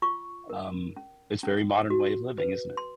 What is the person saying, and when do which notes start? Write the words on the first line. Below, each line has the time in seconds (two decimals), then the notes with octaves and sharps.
Um, it's very modern way of living, isn't it?
0.02 F4 C#6
0.50 A#4
0.96 C#4
1.43 C#4
1.90 F#4
2.38 B4
2.77 C6